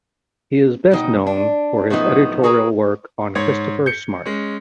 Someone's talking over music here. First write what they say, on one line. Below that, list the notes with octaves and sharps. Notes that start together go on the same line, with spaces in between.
He is best known for his editorial work on Christopher Smart.
B2 D#4 G5
D4
A2 F3 F#3 B3 D#4
F#4 G#4 A#4 B4 A#5
G#2 C#5 G#6
G6 C#7
G#3 C#4